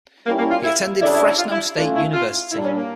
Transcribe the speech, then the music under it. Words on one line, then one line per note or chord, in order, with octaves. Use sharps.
He attended Fresno State University.
G3 A#3 C#4 E4
A#3
F4
E4
C#3 G3 D4 E4 A4 D5
E4
E4
F4
E4
A3 C#4 D4 F4
E4
F4
A#2 G3 D4 E4
C#4
A#3